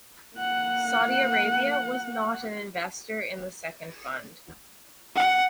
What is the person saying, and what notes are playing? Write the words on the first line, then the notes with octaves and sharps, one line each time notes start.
Saudi Arabia was not an investor in the second fund.
A#3 F#5
F#5